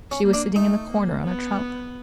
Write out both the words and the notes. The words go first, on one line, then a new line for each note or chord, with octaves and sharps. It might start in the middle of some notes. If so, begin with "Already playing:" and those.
She was sitting in the corner, on a trunk.
C#4
A#3
D4
A3 D#4
A#3
B3